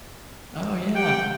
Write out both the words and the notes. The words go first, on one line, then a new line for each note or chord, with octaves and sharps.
Oh, yeah.
G4 F#5 G5